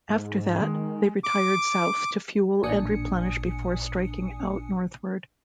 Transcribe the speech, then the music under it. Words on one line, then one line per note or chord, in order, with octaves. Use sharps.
After that, they retired south to fuel and replenish before striking out northward.
G#2
D#3 G#3
D6
A1 A#2 D4 G#5 D#6 C#7